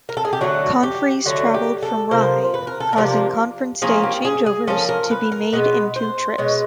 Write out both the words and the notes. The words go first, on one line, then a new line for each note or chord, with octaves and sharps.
Conferees traveled from Rye, causing conference day change-overs to be made in two trips.
A#4
A4
G#4
G4
D3 F#3 A3 F#4
G4
D3 F#3 A3 F#4
G4
A4
C3 F3 A#3 C5
B4
A#4
A4
A#4
C3 F3 A#3 D4
F3 A#3 C#4 G#4
G4
G#4
G#4
F3 A#3 C#4 A4
A#4
B4
A#4
B2 G#3 B3 B4
C5
B2 G#3 B3 C#5